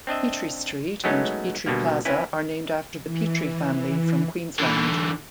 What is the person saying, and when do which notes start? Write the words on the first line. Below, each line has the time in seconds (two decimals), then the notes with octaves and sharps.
Petrie Street and Petrie Plaza are named after the Petrie family from Queensland.
0.07 C4 D4 D#5 E5
1.04 F#3 G#3 A3 B3 C#4 D#4
1.66 B2 D3 G3 A#3
2.05 C4 C#4 E4 B4
3.04 E3
4.59 D3 E3